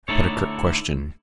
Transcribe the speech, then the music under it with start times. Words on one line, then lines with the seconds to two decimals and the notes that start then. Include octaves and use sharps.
I put a curt question.
0.08 D3 A3 D#4 E4 A4 C#5